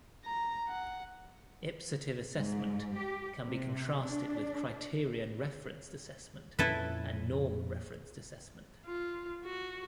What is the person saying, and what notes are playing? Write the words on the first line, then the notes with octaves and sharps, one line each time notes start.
Ipsative assessment can be contrasted with criterion-referenced assessment and norm-referenced assessment.
A#5
F#5
G#2
G4
C3
D4
F2 A#2 C#4 E4 A4 B4
F4
F#4